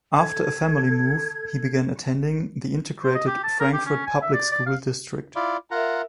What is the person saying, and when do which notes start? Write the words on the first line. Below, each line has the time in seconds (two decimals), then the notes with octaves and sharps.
After a family move, he began attending the integrated Frankfort public school district.
0.18 A4 G#6
3.03 C5
3.15 D#5
3.27 G4
3.44 A5
3.60 A#4
3.73 G4
3.86 C#4
4.07 G#5
4.22 E5
4.34 D5
4.52 D5
4.66 F5
5.36 E4 F4 D5
5.71 F4 A#4 E5 F#5 A#5